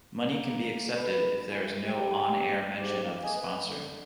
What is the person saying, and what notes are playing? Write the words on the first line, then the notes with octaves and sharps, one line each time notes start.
Money can be accepted if there is no on-air mention of the sponsor.
A#3
D3 B4
F2 C3 E3
G4
G#2 G4
F2 A#3
G#4 D#5 G#5
B4
D3